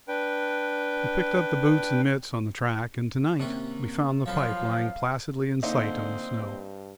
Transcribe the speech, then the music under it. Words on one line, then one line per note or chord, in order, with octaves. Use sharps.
We picked up the boots and mits on the track, and to-night we found the pipe lying placidly in sight on the snow.
D4 B4 G5
D#2 C3 C#4 F#5
F3 F#3 A4 B4 F5
A#2 D3 C4 D#4
G2